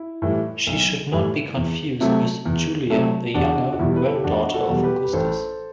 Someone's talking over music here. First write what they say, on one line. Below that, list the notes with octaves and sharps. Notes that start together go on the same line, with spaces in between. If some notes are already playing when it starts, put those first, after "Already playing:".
She should not be confused with Julia the Younger, granddaughter of Augustus.
Already playing: E4
A2 E3 G3
B1
A2 E3 G3
E2
C3 F#3 A3
E2
C3 F#3 A3
E1 D4 F#4
F#4
E2 B2 G3 E4
B4
A4
G4
E1 D4 F#4
F#4 A4
E2 B2 G3
G4 B4
B4
A1 A4 C5